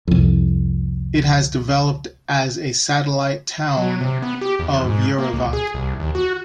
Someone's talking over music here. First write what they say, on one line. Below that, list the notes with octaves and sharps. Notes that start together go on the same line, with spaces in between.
It has developed as a satellite town of Yerevan.
C2 F2
F#3
C3
B3
G4
E2
G#2
A#3
C#2
G#4
C2
D#2
F#4